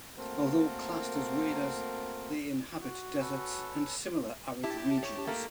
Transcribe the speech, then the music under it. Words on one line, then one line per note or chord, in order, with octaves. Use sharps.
Although classed as waders, they inhabit deserts and similar arid regions.
A3 A#3 C4 F#4 A#4
F#4
C#4 A4 B4
E4 G4 A5
C#5
A3 A#3